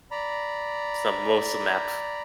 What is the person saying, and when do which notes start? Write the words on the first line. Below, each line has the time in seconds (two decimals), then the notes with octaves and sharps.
some most of map f
0.11 D5 A#5 B5